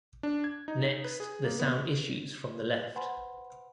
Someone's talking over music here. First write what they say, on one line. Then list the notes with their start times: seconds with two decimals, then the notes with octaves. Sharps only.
Next the sound issues from the left.
0.23 D4
0.44 G#6
0.68 D#4
1.04 B4
1.20 G#4
1.44 A#3
1.59 B3
2.95 B4 C5 F#5 G#5 B5 C6